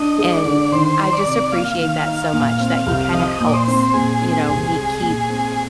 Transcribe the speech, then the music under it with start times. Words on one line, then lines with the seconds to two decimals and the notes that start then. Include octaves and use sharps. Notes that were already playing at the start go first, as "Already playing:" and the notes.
and I just appreciate that so much that he kinda helps, you know, me keep,
Already playing: D4 D#5
0.18 G#3
0.32 D5
0.45 D3
0.72 D#3 C5
0.99 D#4
1.13 D5
1.25 C3
1.52 A#3 F5
1.79 D#3
2.06 D#4
2.33 A#2
2.60 C4
2.86 C2
3.14 F3 D#5
3.40 A#2
3.48 D5
3.54 C5
3.68 C4
3.94 A#2 G#4
4.22 C4
4.48 C2
4.76 G#3
5.02 A#2
5.29 C4